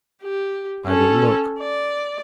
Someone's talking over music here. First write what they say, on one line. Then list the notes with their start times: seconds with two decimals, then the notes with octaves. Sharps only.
I will look.
0.23 G4
0.86 C#4 A4
1.59 D5